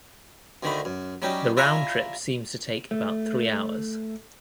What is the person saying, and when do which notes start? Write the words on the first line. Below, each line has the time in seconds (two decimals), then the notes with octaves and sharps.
The round trip seems to take about three hours.
0.63 D2 D3 D#3 A3 D#4 B5
0.85 F#2
1.22 F#3 G3 C#4 D#4 G4
1.57 E4 F4 D5 E5 G#5 A#5
2.91 A3